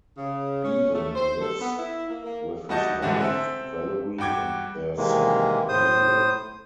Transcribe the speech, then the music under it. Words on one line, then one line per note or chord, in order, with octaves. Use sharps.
Bevan lives with his wife, Valerie, and their son, Adrian.
C#3
C#4
A3
C5
A4
B3
E4
A#3
A#3
G3 A3 F#4 D#5 A5 G6
G#2 D3 E3 D4 F#4
C4 A4 E5
G2 F#4 G5 D6 G#6
C3 D#3 E3 G#3 A#3
A2 C5 D#6